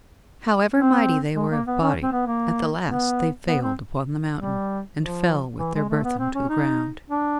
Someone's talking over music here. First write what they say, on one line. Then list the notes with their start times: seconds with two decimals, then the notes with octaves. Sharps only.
However mighty they were of body, at the last they failed upon the mountain, and fell with their burthen to the ground.
0.76 C4
1.36 G#3
1.51 A#3
1.67 B3
1.81 C#4
2.03 C4
2.12 B3
2.27 A#3
2.87 B3
3.48 B3
3.62 C4
4.38 G3
4.98 F3
5.59 E3
5.74 G#3
5.89 A3
6.04 B3
6.19 C4
6.34 C#4
6.49 D#4
7.10 D4